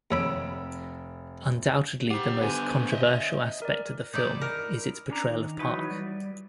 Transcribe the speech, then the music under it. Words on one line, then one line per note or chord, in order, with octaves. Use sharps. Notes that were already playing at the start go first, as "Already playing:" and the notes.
Undoubtedly the most controversial aspect of the film is its portrayal of Park.
F1 D#2 C#5 B5 E6 D7
G4 C5 F#5
D3 B3 C5 G#5
D#5 E5
A#4 D5
D#4 E4 D5
A#4
C#4 D4 A#5
D#3
E3 F#3 D#4 F#4 B4 C#5
G3 D5